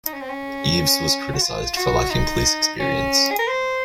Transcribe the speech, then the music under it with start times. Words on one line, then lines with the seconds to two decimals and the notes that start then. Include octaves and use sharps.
Eaves was criticized for lacking police experience.
0.06 D#4
0.13 C#4
0.21 C4
0.29 C#4
1.34 F#4
1.42 F4
1.77 F#4
2.11 D#4
2.80 C#4
3.31 G#4
3.39 A#4
3.48 C5